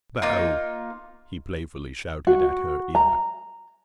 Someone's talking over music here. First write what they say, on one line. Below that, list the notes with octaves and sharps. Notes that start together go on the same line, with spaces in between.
"Boh!" he playfully shouted at her ear.
A#3 D#4 F4
F#4
A#5